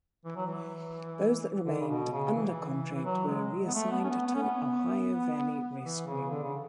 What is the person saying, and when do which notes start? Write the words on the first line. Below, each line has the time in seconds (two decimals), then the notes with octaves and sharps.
Those that remained under contract were reassigned to Ohio Valley Wrestling.
0.25 E3
0.36 F#3
0.47 E3
1.65 D3
1.80 C#3
1.88 B2
2.12 C#3
2.34 E3
2.96 E3
3.05 F#3
3.27 G#3
3.67 B3
3.74 A3
3.91 B3
4.04 C#4
4.09 B3
4.27 B3
4.34 C#4
4.43 B3
5.84 E3
6.07 C#3
6.30 D3
6.44 C#3